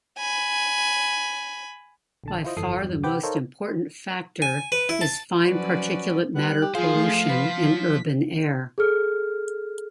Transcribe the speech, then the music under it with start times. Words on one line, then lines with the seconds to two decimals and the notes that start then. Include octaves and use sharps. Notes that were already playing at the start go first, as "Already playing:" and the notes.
By far the most important factor is fine particulate matter pollution in urban air.
0.18 G#5 B5
2.24 A#1 D3 A5
2.44 E4 F4 C5 D#5
2.57 G1 F2 E3 A4 D#6 C7
2.81 E2 G2 F#3
3.03 C3 C4 B4 F#5 G5 D6
3.23 D#4 A4 A#4 C5 C#5 F5
4.42 G#5
4.72 B4
4.89 E4
5.01 A5
5.45 F3 F#3 C#4 F#4 B4 D5
6.35 G3 B3 F#6
6.62 G4
6.75 F3 F4 G#4 C5 F5
6.95 A3
7.29 B4 B6
7.60 F#3
8.78 G#4 A4 F6